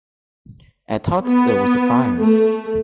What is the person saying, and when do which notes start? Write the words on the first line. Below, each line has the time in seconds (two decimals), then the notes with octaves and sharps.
I thought there was a fire.
1.26 B3
2.19 A3